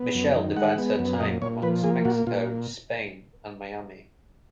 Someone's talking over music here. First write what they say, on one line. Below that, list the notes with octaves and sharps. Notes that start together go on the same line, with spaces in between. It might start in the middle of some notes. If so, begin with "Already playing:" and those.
Michel divides her time amongst Mexico, Spain, and Miami.
Already playing: B3
F#2
D#3
G#3 F#5
B3
F#2
A#2 D#5
A#2 C#5
F3 B4
A#3 G#4
A#2 F#4
A#2 F4